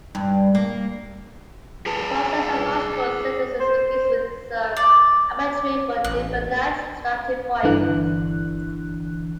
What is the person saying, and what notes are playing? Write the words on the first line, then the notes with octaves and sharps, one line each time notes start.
The process of logical synthesis begins with some arbitrary but definite starting point.
G2
A#3
G#4 B4 A5
C5
D5
A1 F#6
G1 D3 E3 D4 F#6